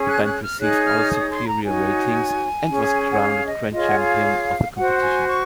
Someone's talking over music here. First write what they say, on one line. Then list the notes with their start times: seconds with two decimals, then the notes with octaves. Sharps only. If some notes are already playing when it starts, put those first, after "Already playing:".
The band received all superior ratings and was crowned Grand Champion of the competition.
Already playing: C#4 G#4 C#5
0.08 F#6
0.25 F#6
0.42 F6
0.60 D#4 G#4 C#5 F#6
0.86 F6
1.12 D#6
1.30 C6
1.47 A#5
1.64 D#4 F#4 C#5 G#5
2.68 C#4 G#4 C#5
3.12 F#5
3.21 F5
3.47 D#5
3.73 F4 G#4 C#5 D#5
3.88 F#5
3.98 F5
4.77 F#4 C5 F#5
5.03 G#5
5.29 C#6